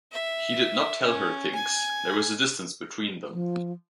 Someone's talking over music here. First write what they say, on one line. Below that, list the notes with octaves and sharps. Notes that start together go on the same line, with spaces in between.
He did not tell her things; there was a distance between them.
E5
C#4
G#5
F3